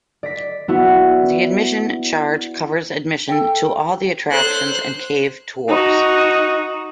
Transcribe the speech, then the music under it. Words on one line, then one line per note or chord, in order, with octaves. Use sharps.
The admission charge covers admission to all the attractions and cave tours.
D5 A#6 B6
B3 E4 F#4
A4 G5
D#4 A4 C5 C#5 F#6
D#4 F#4